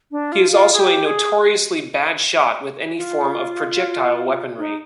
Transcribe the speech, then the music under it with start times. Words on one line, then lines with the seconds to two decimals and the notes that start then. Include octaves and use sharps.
He is also a notoriously bad shot with any form of projectile weaponry.
0.11 D4
0.32 F4
0.52 F4
0.73 G#4
0.79 G4
1.05 G#4
2.96 F4
4.58 D#4